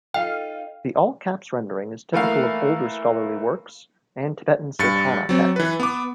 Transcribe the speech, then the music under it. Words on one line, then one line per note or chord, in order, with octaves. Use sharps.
The all-caps rendering is typical of older scholarly works, and Tibetan Sadhana texts.
D#4 F4 A4 F5 G5
E3 A3 A#3 F5
G2 A6 C#7
F#3 C4
E3 B4
B3 D6